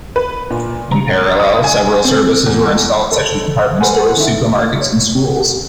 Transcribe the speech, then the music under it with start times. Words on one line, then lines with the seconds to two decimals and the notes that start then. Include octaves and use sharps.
In parallel, several services were installed such as department stores, supermarkets, and schools.
0.16 B4
0.50 A#2
0.92 A#5
1.40 D#6
1.64 G#5
2.05 C4
2.46 E2
3.12 A4
3.80 G#4 A4 B4 C5 F#5 G#5
4.17 D#3 E4
4.79 C#5